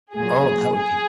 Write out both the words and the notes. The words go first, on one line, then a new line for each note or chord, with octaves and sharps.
Oh, that would be
A#2 F#3 G#4
G#4